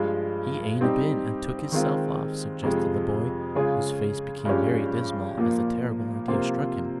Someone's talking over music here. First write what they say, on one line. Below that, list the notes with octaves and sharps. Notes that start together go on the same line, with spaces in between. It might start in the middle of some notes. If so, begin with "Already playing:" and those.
"He ain't a been and took hisself off?" suggested the boy, whose face became very dismal as the terrible idea struck him.
Already playing: G2 F3 G#3
G3 C4 D#4 G4 C5
D#3 G#3 C4 F4
F2 C3 F3 G#3
C#3 G#3 C#4 F4 G#4
G2 F3 G#3 C#4 G4
A#2 F3 A#3
C3 F3 A#3 F4 C5